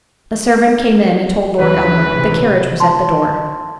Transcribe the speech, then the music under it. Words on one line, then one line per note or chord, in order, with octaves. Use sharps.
A servant came in, and told Lord Elmwood, "The carriage was at the door."
D2 C#3 E3 B4
C3
A5 C6